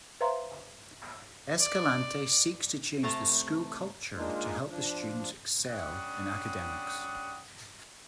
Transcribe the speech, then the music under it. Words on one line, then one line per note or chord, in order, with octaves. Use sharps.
Escalante seeks to change the school culture to help the students excel in academics.
B4 C5 E5 F5 A#5 C6
D5
C3 A3 A5 A#5
G#3 A#3 D4 D#4 F4
F3 D4
G3 C#4 D4 F#5 G5 D#6